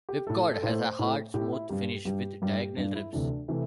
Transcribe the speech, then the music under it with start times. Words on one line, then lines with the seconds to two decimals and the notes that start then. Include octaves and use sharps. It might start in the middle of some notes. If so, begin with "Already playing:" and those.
Whipcord has a hard smooth finish with diagonal ribs.
0.09 G4
0.27 A2 A3 A4
0.39 A4
0.51 A4
0.62 A2 A3 C5
0.99 A2 A3
1.34 A2 A3 G4
1.52 E4
1.69 G2 G3 G4
2.05 G2 G3 G4
2.42 G2 G3
2.59 G4
2.76 G2 G3 D4
2.95 E4
3.13 D2 C3 E3 A3 D4
3.48 C3 E3 A3 E4